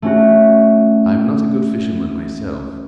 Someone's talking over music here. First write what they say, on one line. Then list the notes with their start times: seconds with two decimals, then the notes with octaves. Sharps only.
I am not a good fisherman myself.
0.02 A3 C#4 F#4